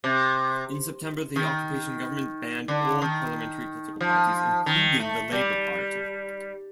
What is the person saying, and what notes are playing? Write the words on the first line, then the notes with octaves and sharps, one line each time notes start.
In September, the occupation government banned all parliamentary political parties, including the Labour party.
C3
D#3
D3
D#3
F3
D#3
A3
G3